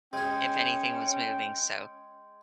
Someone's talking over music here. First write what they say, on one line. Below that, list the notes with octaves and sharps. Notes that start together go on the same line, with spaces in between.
if anything was moving, so,
G#3 C#4 G#4 G5